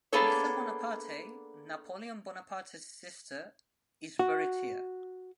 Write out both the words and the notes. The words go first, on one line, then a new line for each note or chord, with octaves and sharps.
Elisa Bonaparte, Napoleon Bonaparte's sister, is buried here.
A#3 B3 D4 G#4 A4 C#5
F#4